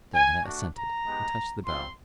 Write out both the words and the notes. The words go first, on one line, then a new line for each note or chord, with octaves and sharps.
Diana assented, and touched the bell.
G#5
A3 D4 F#4
A#5
G#3 B3 D#4 G4
G3 C4 F4 C6